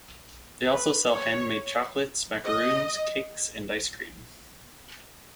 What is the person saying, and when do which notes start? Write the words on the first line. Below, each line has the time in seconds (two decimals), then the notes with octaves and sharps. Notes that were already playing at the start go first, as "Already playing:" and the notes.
They also sell handmade chocolates, macaroons, cakes, and ice cream.
0.70 B4
1.13 C#5
2.45 D#5